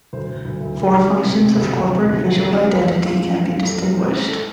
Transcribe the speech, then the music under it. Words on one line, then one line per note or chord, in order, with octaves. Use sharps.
Four functions of corporate visual identity can be distinguished.
D2 C5
D2
D2
D2
D2
D2
G#3
C3
C3
D2
D2
C3
D2
D2
D2
G#3
F2 B4
F2 G#4
F2 F4
G#3 F4
F2 D4
F2 F4
F2 A4
G#3
G#3 C5
G#3 C5
A4